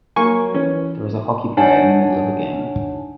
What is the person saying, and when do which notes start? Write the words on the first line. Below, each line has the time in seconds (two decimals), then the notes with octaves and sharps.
There is a hockey player in the middle of a game.
0.16 F#3 A#3 G#5 C#6
0.55 E3 C#4
1.57 D4 D#4 C#5 F#5 G#5 A5